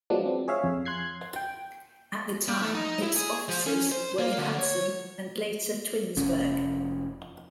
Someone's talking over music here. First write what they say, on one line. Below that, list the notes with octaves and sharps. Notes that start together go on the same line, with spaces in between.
At the time its offices were in Hudson, and later, Twinsburg.
F3 F#3 G#3 B3 D4
C4
G#4 C#5 E5 F5
F2
C6 F#6 G#6 C7
G5
G3
A3
D#4
E4
G#4
F3
C#4
C5
A#3
D3
C#5
F1 F3 C#4